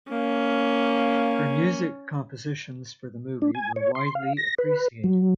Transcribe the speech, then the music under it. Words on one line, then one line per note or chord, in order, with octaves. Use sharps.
Her music compositions for the movie were widely appreciated.
A#3 C#4
D4
G#5
C#5
C6
F5
A#6
B4
F#3